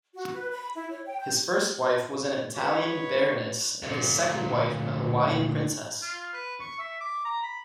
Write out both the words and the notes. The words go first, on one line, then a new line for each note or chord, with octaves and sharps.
His first wife was an Italian Baroness and his second wife a Hawaiian princess.
F#4
B4
B5
E4
C#5
G5
G6
G#3 F#4 B4 C#5
D2 A#2
F4
B4
C#6
E5
D6
A#5
B5